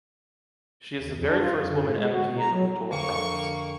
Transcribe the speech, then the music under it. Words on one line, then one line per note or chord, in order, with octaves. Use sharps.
She is the very first woman MP in the Littoral Province.
D#2
F2
D4
F4
F#2
D3
A2
G#3
F#4
B2
A#5
F#3
F2 D3 A#3 C#6